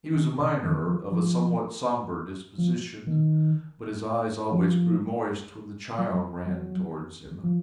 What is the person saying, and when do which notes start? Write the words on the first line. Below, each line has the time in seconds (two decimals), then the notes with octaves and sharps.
He was a miner of a somewhat sombre disposition, but his eyes always grew moist when the child ran towards him.
0.15 D#3
0.39 C3
0.63 D#3
0.87 F3
1.12 F3
2.58 F3
3.07 D#3
4.52 F3
5.98 F#3
6.46 F#3
7.43 F3